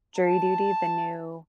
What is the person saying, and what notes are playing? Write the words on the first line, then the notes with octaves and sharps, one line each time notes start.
Jury Duty, the new
A5